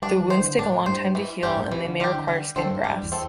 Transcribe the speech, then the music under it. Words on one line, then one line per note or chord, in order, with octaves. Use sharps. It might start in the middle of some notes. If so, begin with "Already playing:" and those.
The wounds take a long time to heal and they may require skin grafts.
G3 D4
E3
C5
D3
A2 D4
G2 C5
E3
G2 G3 C4 G4
A2
C3 E3
D3
E3 G3 C4 G4
D3
D3 G3
D3 C4 A4 C5
G2
G2 G3
E2
C4 A4